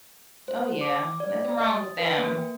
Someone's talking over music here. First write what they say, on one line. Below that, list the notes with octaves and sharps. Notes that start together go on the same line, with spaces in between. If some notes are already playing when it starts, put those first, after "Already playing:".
Oh, yeah. Nothing wrong with them.
C5
D6
D5
D#5
B4
A#3
G5